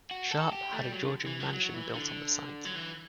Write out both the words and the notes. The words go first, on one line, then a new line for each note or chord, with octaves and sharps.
Sharpe had a Georgian mansion built on the site.
F#4
A4
G4
A3
G3
F#3
D3
E3
F#3
F#3
E3
D3
F#3
E3